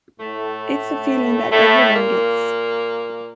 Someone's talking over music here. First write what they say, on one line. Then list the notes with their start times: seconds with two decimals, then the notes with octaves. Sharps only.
It's a feeling that everyone gets.
0.19 A2 A3
1.50 A2 A3
1.95 A#2 A#3